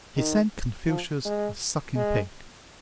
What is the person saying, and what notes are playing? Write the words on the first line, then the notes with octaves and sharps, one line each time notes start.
He sent Confucius a sucking pig.
D#3
F3
G#3
G#3